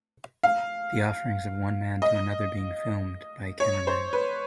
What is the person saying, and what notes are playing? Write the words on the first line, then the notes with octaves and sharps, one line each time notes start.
The offerings of one man to another being filmed by a cameraman.
F5
D#5
C#5
C5
B4